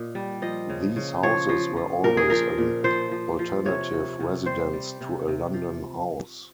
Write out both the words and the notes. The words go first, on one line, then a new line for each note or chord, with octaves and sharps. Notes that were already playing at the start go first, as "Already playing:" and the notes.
These houses were always an alternative residence to a London house.
Already playing: A#2 D#5
G3
F3 D#5
C#3
C#3
F3 C#5
F3
F3
A#2 A#4
G#4
F3 A#4
A#2
F3 C5
F3
F3
C3 C#5
C3
C3
G3 C5
G3
C3
C3
F3